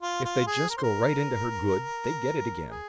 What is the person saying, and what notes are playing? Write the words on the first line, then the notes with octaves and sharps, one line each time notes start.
If they'd just go right into her good, they'd get it again.
F4
F4
G#4
A#4
C5
A#4
G#4